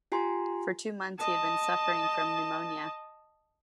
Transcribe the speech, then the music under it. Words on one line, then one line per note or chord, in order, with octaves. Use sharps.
For two months he had been suffering from pneumonia.
F4 G4 G#5 A#5 C6
D#5 A5